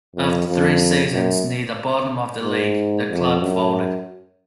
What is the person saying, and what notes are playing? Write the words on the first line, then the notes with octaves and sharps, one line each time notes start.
After three seasons near the bottom of the league the club folded.
F2
F2
F#2
G#2
F2
F#2